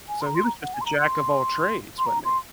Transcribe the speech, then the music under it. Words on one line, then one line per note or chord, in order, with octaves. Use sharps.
So he was just a jack-of-all-trades, wasn't he?
G#5
C6
A#5
C6
A#5
F#5
G#5
C6
A#5
C6
C6
A#5
C6